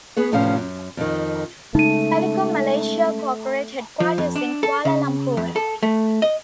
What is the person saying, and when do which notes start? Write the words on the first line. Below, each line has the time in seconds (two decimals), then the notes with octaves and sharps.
Telekom Malaysia corporate headquarters in Kuala Lumpur.
0.17 B3 G#4 B4 C#5
0.32 E2 A2 C3 F3 C#4 F5
0.57 F#2
0.97 F2 D#3
1.75 C#3 G#3 A3 D#4 D#7
4.00 F3
4.18 F2
4.36 D4
4.63 A4
4.85 C#3
5.37 F2
5.56 A4
5.83 A3
6.22 D#5